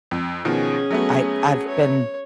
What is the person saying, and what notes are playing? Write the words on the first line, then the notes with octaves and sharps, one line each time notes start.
I I've been
F2
B2 D#3 F3 C#4 G#4
F#3 A3 B3
C#5